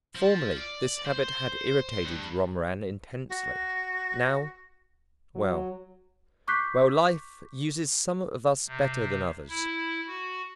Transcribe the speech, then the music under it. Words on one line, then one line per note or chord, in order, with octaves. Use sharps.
Formerly this habit had irritated Romarin intensely; now ... well, well, Life uses some of us better than others.
F3
D5
C5
G2
F#4
F#3
C#6 D6 F#6 G6 B6 C7
C3
E4
F#4